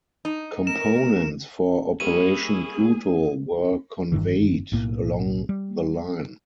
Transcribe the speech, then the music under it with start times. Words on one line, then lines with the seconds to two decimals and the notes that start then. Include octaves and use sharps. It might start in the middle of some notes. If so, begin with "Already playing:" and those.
Components for Operation Pluto were conveyed along the line.
0.25 D#4
0.67 A3 A#4 E7
2.00 G3 A#3 C#4 E4 G#4 D#7
4.12 F#1 G2 D#3 E3
4.72 B1 A2 A#3
5.49 G3